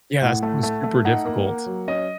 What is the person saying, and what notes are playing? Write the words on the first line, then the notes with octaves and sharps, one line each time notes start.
Yeah, that sounds super difficult.
A2 F#5
A3
A3
A3
D#4 F#5
A#3
A#3
F#3
C#4 D#5